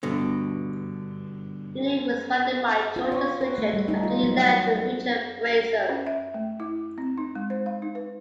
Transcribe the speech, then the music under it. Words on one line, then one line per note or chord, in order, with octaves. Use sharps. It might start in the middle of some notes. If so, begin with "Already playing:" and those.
Unic was founded by Georges Richard after he left Richard-Brasier.
G2 B2 D3
F4
C#5
B4
A3
G3
D#4
F4
F#3
F#5
C#4
E5
A3
E4
C4
D#4
G#3
C5
F5
D#4
B4